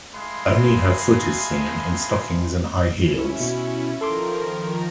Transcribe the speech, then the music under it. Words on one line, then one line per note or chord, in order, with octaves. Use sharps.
Only her foot is seen, in stockings and high heels.
G#3 A3 D#4 F5 B5 C6
C#4 E4
B2
D#3 F3 A4 A#4 C6 D6